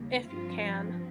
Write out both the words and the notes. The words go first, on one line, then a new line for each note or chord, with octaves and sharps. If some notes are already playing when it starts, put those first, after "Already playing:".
If you can.
Already playing: D#2 C#3 G3 A#3
G2 F3 C4 F4